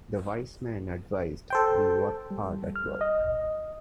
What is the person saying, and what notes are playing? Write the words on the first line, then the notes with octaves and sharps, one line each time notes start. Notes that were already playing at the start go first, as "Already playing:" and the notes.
The wise man advised we work hard at work.
A4 C5 G5
G3
F6
D#5